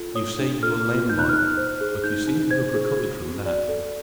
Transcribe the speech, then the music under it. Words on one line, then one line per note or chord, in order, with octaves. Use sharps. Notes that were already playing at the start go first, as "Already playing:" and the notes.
You say you were lamed by it--but you seem to have recovered from that.
Already playing: F4 A4
C#5 D#6
D4
A4 F6
F4
D#4 G6
F#6
D#4 F6
F#6
C5
G#4
D#4 G6
D#4
C5 G#6
G#4
F#4
F#4
D5
A4